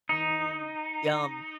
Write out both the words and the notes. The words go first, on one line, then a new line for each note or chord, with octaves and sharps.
Mm. Yum.
D#4